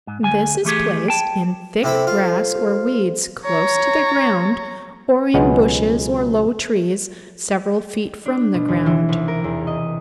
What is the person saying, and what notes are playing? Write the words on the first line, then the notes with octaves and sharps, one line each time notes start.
This is placed in thick grass or weeds close to the ground or in bushes or low trees several feet from the ground.
G#2
D2 G#5
E3 A3 G4 G#4
G5 A5
C3 E4 A4 C5 B5
F4
C#5 A#5
C#2 B2 E3 F#3 G#3 B3
D4
B2
D#2
E3
C2
A#4
E2
D#5